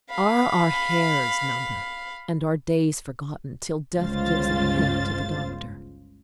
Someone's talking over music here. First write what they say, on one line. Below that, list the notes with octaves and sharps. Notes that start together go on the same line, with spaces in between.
Are our hairs numbered, and our days forgotten--till death gives a hint to the doctor?
F5 B5
G1 C#2 F4 C5 A6